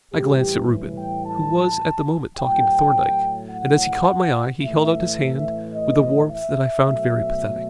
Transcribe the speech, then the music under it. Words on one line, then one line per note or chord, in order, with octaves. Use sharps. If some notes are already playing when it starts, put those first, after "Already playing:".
I glanced at Reuben, who was at the moment talking to Thorndyke, and as he caught my eye he held out his hand with a warmth that I found very pathetic.
A2 E3 G3 G4
G5
A5
A2 F#3 A3 G5
F#5
A2 E3 A3 E5
D#5
E5
B2 F#3 A3